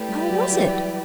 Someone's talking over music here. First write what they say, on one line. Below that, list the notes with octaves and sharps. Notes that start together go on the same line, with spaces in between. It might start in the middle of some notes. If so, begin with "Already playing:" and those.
How was it?
Already playing: A3 E4 G4 B4 D5
G3
F#3
E3